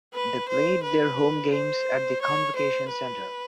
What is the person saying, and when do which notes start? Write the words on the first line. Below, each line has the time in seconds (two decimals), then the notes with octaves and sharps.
They played their home games at the Convocation Center.
0.14 B4
0.49 C5
0.84 B4
1.53 C5
2.22 C#5
2.56 C5
2.91 B4